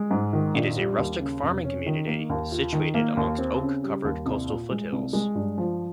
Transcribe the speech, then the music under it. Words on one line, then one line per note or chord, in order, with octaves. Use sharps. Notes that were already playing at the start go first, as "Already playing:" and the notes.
It is a rustic farming community situated amongst oak covered coastal foothills.
Already playing: G#3
G#2
D#3
A#1
G3
D#2
C#3
F1
C#4
D#3
A#3
D#2
F4
D#3
A#3
D#2
C4
C#3
G3
D#2
C2
A#2
G#3
C2
G#3
G2
F3